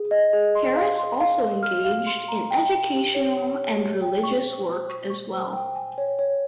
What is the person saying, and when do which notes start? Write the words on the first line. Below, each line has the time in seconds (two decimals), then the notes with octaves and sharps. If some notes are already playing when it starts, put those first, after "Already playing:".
Harris also engaged in educational and religious work as well.
Already playing: G#4
0.11 D#5
0.33 G#4
0.55 C6
0.77 F5
0.98 C6
1.20 F5
1.41 F5
1.63 F6
1.84 F5
2.07 C6
2.28 A#5
2.51 G5
2.72 G5
2.94 G4
3.15 C#5
3.37 C#5
3.59 C#5
3.80 G4
4.02 G5
4.23 C#6
4.46 C5
4.67 C5
4.89 C#6
5.10 C#6
5.33 C5
5.53 G5
5.75 G#5
5.98 C#5
6.19 C#5